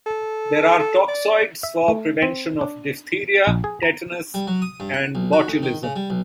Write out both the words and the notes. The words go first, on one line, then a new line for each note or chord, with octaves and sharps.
There are toxoids for prevention of diphtheria, tetanus and botulism.
A4
A4
D5
E5
A3
C4
D4
A#1
G#4
A#5
G3
F#3
D#6
G2
F#5
B1
F#4
D2
D#3
C#3
G3
B1